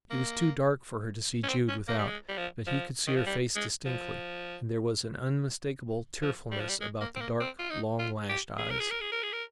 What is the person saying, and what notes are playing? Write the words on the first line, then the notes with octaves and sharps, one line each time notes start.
It was too dark for her to see Jude without, but he could see her face distinctly, and there was an unmistakable tearfulness about the dark, long-lashed eyes.
A#3
C#4
C4
C#4
A#3
G3
G#3
G3
F3
F3
D#3
F3
G3
G#3
F3
F3
G3
F3
G3
G#3
A#3
C4
A#3
C4
F4
D#4
F4
G4
G#4
A#4
G#4
A#4
G#4
A#4
G#4
A#4